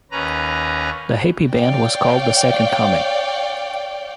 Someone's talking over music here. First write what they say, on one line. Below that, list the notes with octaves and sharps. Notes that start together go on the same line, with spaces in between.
The hippy band was called the "Second Coming".
D#2 C#4 B4 A#5
C#5 D5 F5 G5